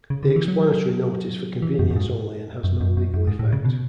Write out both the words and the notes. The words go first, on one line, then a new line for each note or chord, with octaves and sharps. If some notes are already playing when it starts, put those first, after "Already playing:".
The explanatory note is for convenience only and has no legal effect.
C#3
D3
E3
F#3
E3
F#2
F#2
G#2
F#2
F#2
F#2
F#2
G#2
A2
C#3
B2